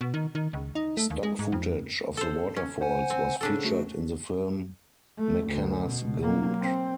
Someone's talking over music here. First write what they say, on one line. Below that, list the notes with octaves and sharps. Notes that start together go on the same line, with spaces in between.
Stock footage of the waterfalls was featured in the film "Mackenna's Gold".
B2
D#3
D#3
C#2
D#4
A3
D#2
G#3
G#2
F2
A4 C5
C#4
C5 F#5 G#5
C4
C#3 D4 A4
A3 F#4
A3
D2
B2
F#3 A#3
C4